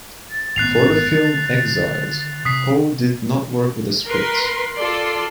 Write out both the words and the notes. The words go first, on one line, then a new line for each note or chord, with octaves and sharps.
For the film "Exiled", Ho did not work with a script.
A6
G#1 A2 B3 F#6 C7 F7
D3 D#3
C3 D#6 B6 C7
A#4 B4 C6
F4 A4 D5 C6